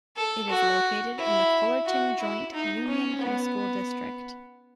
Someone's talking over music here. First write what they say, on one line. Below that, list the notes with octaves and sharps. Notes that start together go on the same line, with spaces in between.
It is located in the Fullerton Joint Union High School District.
A4
F#4
E4
F#4
E4
D#4
C#4
B3